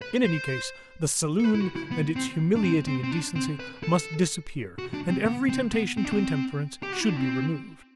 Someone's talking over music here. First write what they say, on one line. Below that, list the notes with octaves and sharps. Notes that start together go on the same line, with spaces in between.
In any case the saloon and its humiliating indecency must disappear and every temptation to intemperance should be removed.
B4
C5
A4
B4
E4
F#4
E4
B3
C4
D4
C4
C4
C4
D4
C4
B4
A4
F#4
D4
C4
B3
C4
B3
C4
D4
C4
G4
F#4
E4
D4
C4